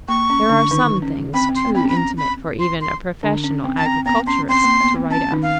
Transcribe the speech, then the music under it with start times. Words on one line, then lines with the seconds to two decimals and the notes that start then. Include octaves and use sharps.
There are some things too intimate for even a professional agriculturist to write of.
0.08 A#3 C#6
0.30 C#4
0.49 D3 D4
0.71 D#3 D#4
1.02 C#4
1.34 C4 B5
1.49 C4
1.55 C6
1.65 B3
1.75 C4 B5
1.80 C#4
1.88 B5
1.97 A#5
2.18 B5
2.59 C6
2.81 C6
3.23 D3 D4
3.44 C#4
3.64 C4
3.77 A5
3.86 C4 A#5
4.06 B3 A#5
4.27 C#4 C6
4.49 C4 C6
4.64 A#3
4.80 B3
4.95 C4
5.11 C#4 A5
5.31 D#3 D#4
5.42 F5